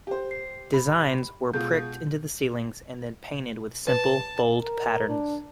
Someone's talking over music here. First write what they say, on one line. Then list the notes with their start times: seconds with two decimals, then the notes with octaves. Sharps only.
Designs were pricked into the ceilings and then painted with simple, bold patterns.
0.07 G4 C5
0.31 C7
0.74 B5
1.53 B2 G#3 F4 G6
3.87 B4 A5
4.61 A#4
5.08 D4